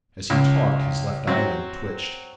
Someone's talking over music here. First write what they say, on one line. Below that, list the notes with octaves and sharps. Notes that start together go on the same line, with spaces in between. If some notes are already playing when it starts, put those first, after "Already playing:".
As he talked his left eyelid twitched.
C#2
F#3 C4